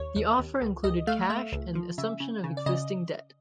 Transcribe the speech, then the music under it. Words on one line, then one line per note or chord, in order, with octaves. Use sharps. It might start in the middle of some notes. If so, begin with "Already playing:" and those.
The offer included cash and assumption of existing debt.
Already playing: D#2 C#5
D#2
D#2
C#2
C#2 D#5
A3 F5
A3 E5
C#2
F3
C#3 E5
C#3
C#3
D5
C#3 D#5